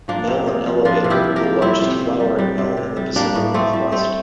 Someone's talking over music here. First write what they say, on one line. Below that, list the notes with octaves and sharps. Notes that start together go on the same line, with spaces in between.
Mill and Elevator, the largest flouring mill in the Pacific Northwest.
F3 A#3 D4
C3
C3
F3
F3 D4 F4
C3
E4 G4
C3
G4 A#4
F3
G3 C4 E4
C3
C3
G3
G3
C3
C3
G3
G3 A#3 D4
A2
A2 A3 C4
G3
G3 A3 C4